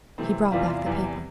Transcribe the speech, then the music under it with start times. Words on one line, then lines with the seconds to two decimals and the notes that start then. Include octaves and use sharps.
He brought back the paper.
0.18 C3 E3 A3 C4
0.51 E2 C3 E3 G3 F4
0.86 E2 C3 E3 G3